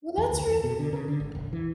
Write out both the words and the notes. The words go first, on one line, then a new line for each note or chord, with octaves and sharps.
Well, that's really
E2
D2
E2
B2
D3
C#3
D3
G#1
D#1
E3